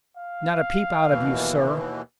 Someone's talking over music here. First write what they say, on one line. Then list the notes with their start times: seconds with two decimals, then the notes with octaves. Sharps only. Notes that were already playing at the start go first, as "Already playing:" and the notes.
Not a peep out of you, sir.
0.17 F5
1.08 D#2 B2 E3